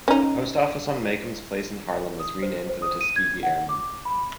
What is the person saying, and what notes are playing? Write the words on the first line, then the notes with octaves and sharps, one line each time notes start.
The post office on Macombs Place in Harlem was renamed for the Tuskegee Airmen.
C#4 D#4
D#6
C5
C5
D#6
D#7
G#6
F#5
D6
B5